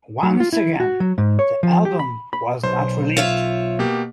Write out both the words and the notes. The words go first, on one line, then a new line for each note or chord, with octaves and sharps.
Once again, the album was not released.
F#3
F4
E4
F#4
F#3
G#2
C#5
F3
G4
B5
B5
B1 C5
F4 C#5 E5
B2 A#3 G4